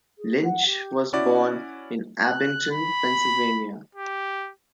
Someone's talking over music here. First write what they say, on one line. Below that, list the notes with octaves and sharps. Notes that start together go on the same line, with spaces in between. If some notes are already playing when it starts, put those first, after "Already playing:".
Lynch was born in Abington, Pennsylvania.
G#4
F#5
G4
C#4 E4 F#4 D5
F#6
B5
G4